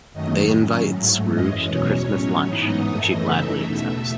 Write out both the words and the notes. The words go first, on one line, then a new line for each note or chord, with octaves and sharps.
They invite Scrooge to Christmas lunch, which he gladly accepts.
F#2 D#3 F#3 A3 D#5
A2 F#3 C#4
G#2 F#3 A3
F#2 E3 G#3 C#4 D#5
E2 B2 F#3 C#4 C#5
A2 F#3 C#4
G#2 E3 B3 D#4 D#5
F#2 E3 A3
C#3 E3 A3 D#4 E5
E2 B2 A3